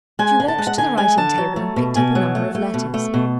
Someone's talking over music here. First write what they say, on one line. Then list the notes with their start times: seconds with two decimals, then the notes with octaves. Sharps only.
She walked to the writing-table and picked up a number of letters.
0.19 G#3 G#5
0.40 D3
0.48 A5
0.58 G#3
0.67 F#5
0.78 D3 G#5
0.97 G#3 G#5
1.17 D3 A5
1.38 F#3
1.56 A3
1.76 B2
1.96 B2 G#5
2.15 F#3
2.35 A3
2.55 A3
2.74 B2
2.94 A3
3.14 B2